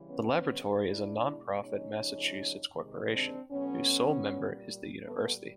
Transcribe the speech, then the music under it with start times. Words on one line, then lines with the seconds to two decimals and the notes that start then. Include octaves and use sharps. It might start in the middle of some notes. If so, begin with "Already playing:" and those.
The Laboratory is a non-profit Massachusetts corporation, whose sole member is the university.
Already playing: C#3 E3 G3
0.08 B3 C#4
0.47 D3 G3
0.85 D4 E4
1.23 B2 G#3
1.61 C#4 D#4
1.99 C#3 F3 A3
2.75 C3 D#3 G#3
3.13 C4 D4
3.51 B2 F#3 A3 B3 C#4
4.27 A#2 G3
5.03 A#2 G3 A3 B3